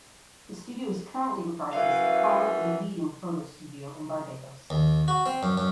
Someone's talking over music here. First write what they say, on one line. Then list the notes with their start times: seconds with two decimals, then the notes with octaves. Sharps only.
The studio is currently regarded as the prominent and leading photo studio in Barbados.
1.73 F#2 E3 F5
4.70 D#2
5.08 F#4
5.26 C4
5.43 F#2
5.58 F#2